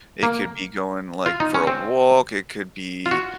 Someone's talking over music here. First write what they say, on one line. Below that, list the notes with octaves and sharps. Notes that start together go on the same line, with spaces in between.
it could be going, like, for a walk, it could be
A#3
F4
D#4
C#4
C4
F4
F#4